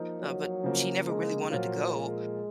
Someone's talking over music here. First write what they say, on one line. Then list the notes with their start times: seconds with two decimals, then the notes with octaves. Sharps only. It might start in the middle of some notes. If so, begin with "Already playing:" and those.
uh, but she never really wanted to go,
Already playing: F3 A#3 D#4
0.20 F#3
0.63 C#3 F3 A#3
1.07 G#3
1.50 A#2 F3 F#3 A#3 F4
1.94 G#3